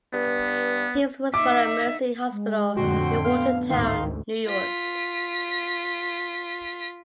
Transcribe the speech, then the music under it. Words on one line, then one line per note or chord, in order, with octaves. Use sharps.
Humes was born at Mercy Hospital in Watertown, New York.
G2 B3
D#4 E5 D6
G#3
F2 A2 D3 F#4 G5 C6
B3 F5
A1 D2 G#2 D#3 D#4 F5 C6
F4 B6